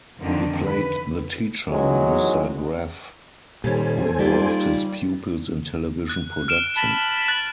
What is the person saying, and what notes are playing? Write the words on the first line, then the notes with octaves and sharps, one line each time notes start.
He played the teacher, Mr. Graff, who involved his pupils in television production.
F2 D3 D#3 C4 D4
B4
A1 E2 D#3 F#3 G#3 C#4
A#2 D#3 G3 C#4 A4 C5 G#5
D#3 G3 A#3 F4 G4 D5
F#6
F6 D7 E7
A5 B5
F#6 A6 F#7